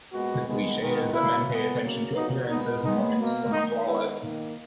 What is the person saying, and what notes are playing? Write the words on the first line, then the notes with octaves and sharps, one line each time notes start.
The cliche is that men pay attention to appearances and women to someone’s wallet.
A#2 G#3 B3 F#4
D#3 G#3 B3
D#3 G#3 B3
B2 F#3 A#3 E4
A#2 G#3 B3
C#3 F#3 A#3
A#2 F#3 B3 D#4
A#2 G#3 B3 D#4
D#3 G#3 B3 D#4
B2 A#3
D#3 A#3 D#4
D#3 G#3 B3 E4
D#3 A#3